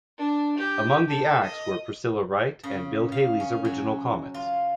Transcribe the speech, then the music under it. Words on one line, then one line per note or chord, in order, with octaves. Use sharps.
Among the acts were Priscilla Wright, and Bill Haley's Original Comets.
D4
G4
A4
D#5
C#3
F5
C#4
F#3
F4